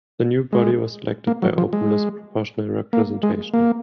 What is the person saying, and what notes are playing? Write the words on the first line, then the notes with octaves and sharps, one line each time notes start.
The new body was elected by open list proportional representation.
G#3
A#3
F#3
F3
G#3
A#3
G#3
A#3